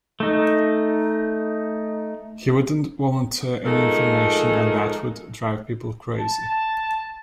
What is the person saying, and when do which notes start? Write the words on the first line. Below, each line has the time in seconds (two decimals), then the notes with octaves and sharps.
He wouldn't volunteer any information, and that would drive people crazy.
0.20 A3 D#4
3.64 F3 G#3 A3 D#4 A4 A#4
6.16 A5